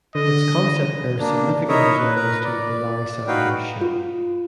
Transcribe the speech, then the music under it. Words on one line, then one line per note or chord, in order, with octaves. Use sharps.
Its concept bears significant resemblance to "The Larry Sanders Show".
D3 D#5
A#3 D4
D#4 E4 A#4 C#5 D#5 E5
B4
A#4 B4
D5
D#4 F#4 B4 F5 G5
F4